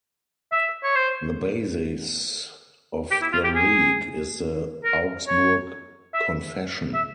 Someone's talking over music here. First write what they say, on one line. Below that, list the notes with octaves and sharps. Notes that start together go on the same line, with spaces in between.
The basis of the league is the Augsburg Confession.
E5
C#5
C5
G4
E4
F4
G4
G#4
A#4
C#5
E5
E5